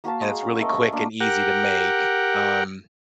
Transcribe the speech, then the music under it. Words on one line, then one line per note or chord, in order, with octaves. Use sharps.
and it's really quick and easy to make. Um,
A#3 F#4 F5 A5
G#3 A#5
C#4
A3 A#4 D#5
A#3 D4
G4 A#4 F#5